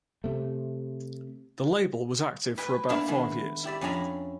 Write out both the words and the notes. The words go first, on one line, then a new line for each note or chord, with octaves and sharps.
The label was active for about five years.
C3 A3
B4 D#5 G5 G#5
G#3 A#3 B3 D4 E4 A#4
D#3 G#3 B3 E4 A#4
E4 G4 D5 E5
F2 C#4 D4 G#4 A#5 B5